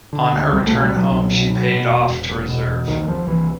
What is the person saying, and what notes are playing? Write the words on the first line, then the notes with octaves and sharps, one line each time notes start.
On her return home she paid off to reserve.
D3
D2
C2 G3
A3
B2
G3
B2 F#3
C2
B2
B2
B2
E1
E1
E1
B2
E2
C2 D#3
C2 F3
C2 E3